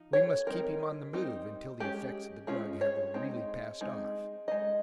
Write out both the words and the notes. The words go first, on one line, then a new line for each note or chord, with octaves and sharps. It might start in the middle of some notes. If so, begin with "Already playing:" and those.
We must keep him on the move until the effects of the drug have really passed off.
Already playing: F3 D#4
C#5
G3 C4 D#4 A#4
G3 C4 D#4
G#3 C#4 G4
G#3 C#4 F4
C#5
G#3 C4 D#4
G#3 C4 D#4
G#3 D#4 D#5